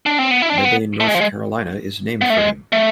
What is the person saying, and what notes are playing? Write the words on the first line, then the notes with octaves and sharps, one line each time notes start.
Mebane, North Carolina is named for him.
D4
C4
B3
E4
D4
C4
B3
A3
G#3
F3
G#3
B3
A3
G#3
A3